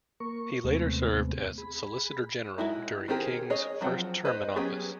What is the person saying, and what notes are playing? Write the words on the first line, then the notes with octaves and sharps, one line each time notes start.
He later served as Solicitor General during King's first term in office.
A#3 A#4 C#6
D#2 C3 G#3 A3 B3 C4
G#4 B5
G#3 D#4 E4 F#4
D#3 C4 G4 G#4 A#4
G#4 C#5 D#5
F3 F#3 C4 F#5
B4 C5 D#5
F#3 B3 C#4 G4 G#4